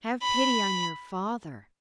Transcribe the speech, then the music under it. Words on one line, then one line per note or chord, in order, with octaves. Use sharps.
'Have pity on your father!'
B5